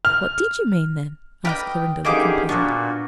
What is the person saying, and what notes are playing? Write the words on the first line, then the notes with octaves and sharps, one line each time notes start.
"What did you mean, then?" asked Clorinda, looking puzzled.
F6
A#4 B4 D5 D#5 F5 G5
F#2 D3 D#3 A#3 D#4 G4 G#4 D6
A#2 B3 D4 F#4